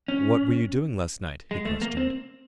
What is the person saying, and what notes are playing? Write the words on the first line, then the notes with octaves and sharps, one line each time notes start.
"What were you doing last night?" he questioned.
C#4
G#3
A3
A#3
C4